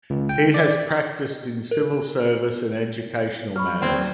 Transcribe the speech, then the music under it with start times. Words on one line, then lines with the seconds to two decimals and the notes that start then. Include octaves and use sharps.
He has practiced in civil service and educational matters.
0.10 C#2
0.29 G5
0.54 D5
1.71 A#4
3.56 F#3 B5 C#6 F6
3.82 D#2 C4 D5 G#6